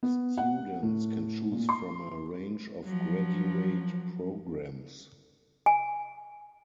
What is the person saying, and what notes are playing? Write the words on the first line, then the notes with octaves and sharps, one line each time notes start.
Students can choose from a range of graduate programmes.
B3
F#5
A2
A#2
C6
F3 F#3
G#5